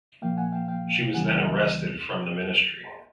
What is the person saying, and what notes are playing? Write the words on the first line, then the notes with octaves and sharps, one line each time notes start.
She was then arrested from the Ministry.
A#2 F3 A#3 F5 G5
F#5 G#5
F5 G5
F5 G5
C#2 C#3 E3 G3 B3 F#5 G#5
F#5
D#5 F5